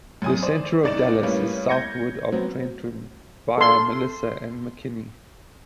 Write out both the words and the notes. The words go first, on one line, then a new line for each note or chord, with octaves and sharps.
The center of Dallas is southwest of Trenton via Melissa and McKinney.
F#2 G#5 D#6
C5 D5
C2 D#4 D5 A6 D7 E7
A2 G3 A#3 C#4 B4 C#5
G6 G#6 A#6 C#7
F#3 B3 C4
A4 C6